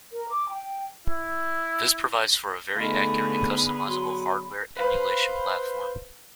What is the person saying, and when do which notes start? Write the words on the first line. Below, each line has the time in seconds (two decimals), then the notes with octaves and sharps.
This provides for a very accurate and customizable hardware emulation platform.
0.11 A#4
0.29 D6
0.49 G5
1.07 E4
2.76 D3 A3 B3 D#4 F4 G#4 B5
3.87 F#3 C6
4.77 B4 C5 F5 B5